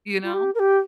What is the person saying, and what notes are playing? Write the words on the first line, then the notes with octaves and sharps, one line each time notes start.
You know?
F4
G4
A#4
G4